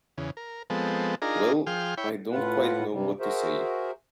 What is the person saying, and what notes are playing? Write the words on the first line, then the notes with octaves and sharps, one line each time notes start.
Well—I don't quite know what to say.
E2 C#3
A#4
F3 G#3 B3 C4 A4
D4 D#4 F4 G#4 A#4 A#5
F3 G#4 G5 C6 F6
E4 C#5 G5 B5
A2 F4 B4 F#5
G2 C3 G3
F#4 G#4 A#4 C5 E5